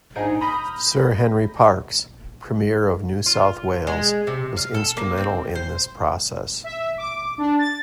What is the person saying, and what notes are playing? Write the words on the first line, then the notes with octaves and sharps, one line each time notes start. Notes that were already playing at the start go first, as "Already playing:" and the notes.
Sir Henry Parkes, Premier of New South Wales, was instrumental in this process.
A#1 G#2 D#4 G#4 D7
A#5 B5 D#6 F6 G6 A#6
F4
G#3
C3
F5
A4
A#3
C4
C5
E5
D6
D4
A6